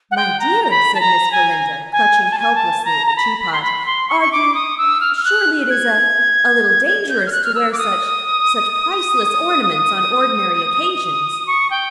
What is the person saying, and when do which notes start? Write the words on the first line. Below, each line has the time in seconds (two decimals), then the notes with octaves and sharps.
"My dear," said Miss Belinda, clutching helplessly at the teapot, "are you--surely it is a--a little dangerous to wear such--such priceless ornaments on ordinary occasions."
0.11 F#5
0.17 G5
0.40 A#5
0.64 A#5
0.71 B5
0.95 A5
1.00 A#5
1.32 G#5
1.93 G#5
2.23 G#5
2.31 A5
2.39 G#5
2.55 A5
2.85 A#5
3.06 A#5
3.17 B5
3.40 B5
3.53 C6
3.62 B5
3.86 C6
4.09 C#6
4.20 C#6
4.32 D6
4.54 D#6
4.78 E6
5.01 F6
5.17 F6
5.25 F#6
5.70 G#6
6.86 G#6
7.09 G6
7.26 F6
7.32 F#6
7.45 F6
7.55 E6
7.73 D6
7.78 D#6
11.47 C#6
11.71 G5